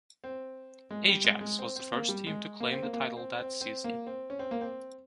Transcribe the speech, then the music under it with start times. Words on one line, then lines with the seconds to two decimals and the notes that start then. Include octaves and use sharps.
Ajax was the first team to claim the title that season.
0.24 C4
0.91 G#3
1.08 G3
1.24 G#3
1.41 G#3
1.59 C4
1.76 C4
1.92 A#3
2.09 G3
2.27 G#3
2.60 A#3
2.72 C4
2.82 A#3
2.93 A#3
3.17 C4
3.39 C4
3.61 C4
3.84 A#3
4.07 C4
4.30 C#4
4.39 C4
4.51 A#3
4.61 C4